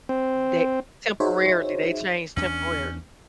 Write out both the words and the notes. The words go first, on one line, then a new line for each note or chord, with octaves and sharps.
They temporarily, they change temporarily.
C4
D#4 F#4 G#4 C5 C#5 E5
E2 C#4 D4